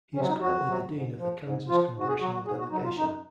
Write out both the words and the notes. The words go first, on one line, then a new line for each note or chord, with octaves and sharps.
He is currently the dean of the Kansas congressional delegation.
C3 F#3 C#4
D#4
F2 F#4
C3 F#3
G#2
F3
G#2
F3 F4
G#2
F#4
G#4
F#3 F#4
F#4
G#2 G#4
F#4
F#3 D#4
F4
F#2 D#4